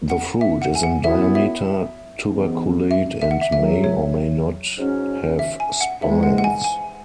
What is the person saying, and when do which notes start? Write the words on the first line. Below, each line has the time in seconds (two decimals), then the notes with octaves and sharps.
The fruit is in diameter, tuberculate, and may or may not have spines.
0.10 F#5
0.41 E5
0.62 F#5
0.75 G#5
0.83 F#5
1.04 F#2 F#3 B3 E4 E5
1.35 E5
2.29 G#2 E3 B3
2.91 E5
3.22 E5
3.31 F#5
3.41 E5
3.52 C#2 C#3 F#3 E5
3.84 C#5
4.77 G#2 F#3 C#4
5.39 E5
5.60 G#5
5.81 F#5
6.02 G#2 E3 G#3 E5
6.23 F#5
6.38 F#5
6.44 G#5
6.64 G#5